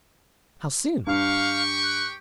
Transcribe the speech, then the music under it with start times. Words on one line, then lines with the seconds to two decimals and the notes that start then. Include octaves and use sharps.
"How soon?"
1.07 G2 G4 F5 G5 C#6
1.83 F#6